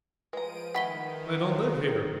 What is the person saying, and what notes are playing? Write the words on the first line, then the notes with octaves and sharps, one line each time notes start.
They don't live here.
F3 G#3 B4 A#5 D7 D#7
D#3 G#3 A3 F#5 B5 B6 G7